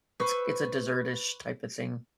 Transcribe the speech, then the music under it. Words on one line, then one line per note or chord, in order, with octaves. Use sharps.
It's it's a dessert-ish type of thing.
B4 C5 C#6 E6